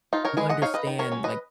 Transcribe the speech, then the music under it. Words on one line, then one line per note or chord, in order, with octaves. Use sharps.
you understand, like,
D#4 F4
A#4 C#5
G#3 G#4 B4
D#5 F#5
D#4 C#5 F5
B4 D#5
D#3
A#4 C#5
F#3 C#4
B4 D#5